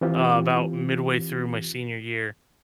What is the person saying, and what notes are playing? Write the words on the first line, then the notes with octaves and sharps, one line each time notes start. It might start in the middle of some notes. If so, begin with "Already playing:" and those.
uh, about midway through my senior year.
E3 C4 F4 G4